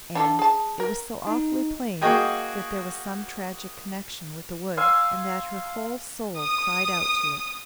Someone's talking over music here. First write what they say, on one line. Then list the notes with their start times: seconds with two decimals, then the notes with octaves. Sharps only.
And it was so awfully plain that there was some tragic connection with the Wood and that her whole soul cried out to it.
0.15 D4 F4 A4
0.39 G#4 A5
0.80 A#4
1.27 D#4
2.01 A#3 F#4 G#4 D#5 G5 G#5
4.77 F5 G#5 C6 E6
6.37 D#6